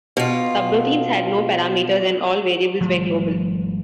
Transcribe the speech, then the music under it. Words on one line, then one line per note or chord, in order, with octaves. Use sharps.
Subroutines had no parameters and all variables were global.
B2 F4
G#1 F3 G3 A3